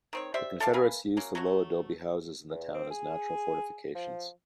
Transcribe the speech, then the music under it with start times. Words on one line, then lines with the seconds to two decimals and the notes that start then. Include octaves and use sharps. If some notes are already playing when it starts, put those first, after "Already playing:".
The Confederates used the low adobe houses in the town as natural fortifications.
0.13 D#3 C4 C#5
0.34 G4 C5 D5 E5
0.60 A4 D5 F5 A5
0.73 A#4 B4 F5 G#5
1.17 F#3 A#3 C#4
1.35 F#3 A3 F#4 C#5
2.50 E2
2.74 C4
2.91 G#4
3.95 F3